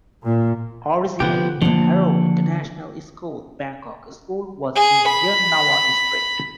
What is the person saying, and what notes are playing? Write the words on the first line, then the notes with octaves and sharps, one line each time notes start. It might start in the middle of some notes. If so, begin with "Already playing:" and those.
Originally the Harrow International School, Bangkok school was in Yan Nawa District.
A#2
D3 F3 B3 G4
D3 F3 A#3
G#4
B5